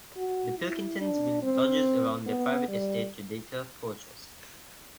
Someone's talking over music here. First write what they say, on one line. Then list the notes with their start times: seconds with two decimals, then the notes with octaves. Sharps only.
The Pilkingtons built lodges around their private estate to deter poaches.
0.16 F#4
0.58 E4
1.00 D4
1.42 C4
2.26 B3
2.69 G3